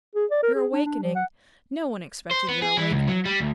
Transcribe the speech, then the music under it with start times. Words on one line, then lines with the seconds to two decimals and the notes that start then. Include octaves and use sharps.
Your awakening--no one expected your awakening.
0.15 G#4
0.31 D5
0.43 A#4
0.55 G#4
0.73 D4
0.86 D4
1.03 F3
1.15 F#5
2.31 C5
2.48 B3
2.62 G#4
2.77 E3
2.91 C#2
3.08 F#3
3.26 G3
3.41 D2